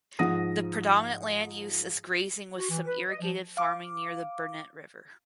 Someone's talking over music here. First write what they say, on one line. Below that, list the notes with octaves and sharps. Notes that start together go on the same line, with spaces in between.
The predominant land use is grazing with some irrigated farming near the Burnett River.
G#2 F3 F#5 D#6 A#6 D#7
F#4
E3
B4
D#5
F3
F5 D6